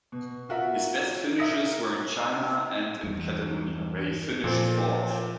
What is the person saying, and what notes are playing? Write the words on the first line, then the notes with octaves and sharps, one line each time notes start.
His best finishes were in China and in Catalunya, where he finished fourth.
B2
F4 F#4 A#4 E5
A#4 E5 D#6 A#6
E2 G2
F2 A#2 A4 C5